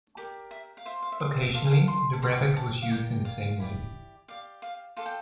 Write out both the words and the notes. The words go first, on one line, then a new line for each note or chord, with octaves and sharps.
Occasionally, the rebec was used in the same way.
G4 A#4 D5
E5
F5
F4 C5 E5
F5
E5
F5
E5
F4 A4 D5 F5
F5
C6
A5
G4 C5 A#5
A5
F5
G4 A#4 D5 G5
F5
E4 G4 D5
G4 D5 F5
F5
F4 A4 D5 F5
G5